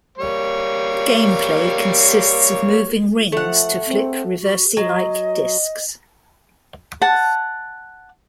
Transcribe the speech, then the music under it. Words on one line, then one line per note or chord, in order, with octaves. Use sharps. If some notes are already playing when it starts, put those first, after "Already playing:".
Gameplay consists of moving rings to flip Reversi-like discs.
G3 A#3 C#5
F3 A3 F#5
C4
F#4
F#3 D#5
F#5 A5